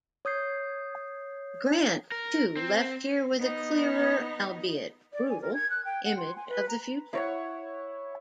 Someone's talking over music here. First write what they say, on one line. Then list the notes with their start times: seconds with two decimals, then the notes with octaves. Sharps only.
Grant, too, left here with a clearer, albeit brutal, image of the future.
0.25 C#5 D#6 G6 C7
2.12 A#4
2.57 C4
3.39 B3 D#4
5.13 D5
5.30 G#5
5.42 A#4
5.54 G#6
5.70 F#6
5.85 G5
6.05 F#5
6.17 C6
6.36 G#5
6.49 B4
6.69 A#5
7.13 E4 C#5 F#5